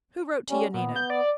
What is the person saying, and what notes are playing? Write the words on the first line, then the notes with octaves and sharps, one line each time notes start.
"Who wrote to Yanina?"
G3 C#4
A#2 B3
G6
D5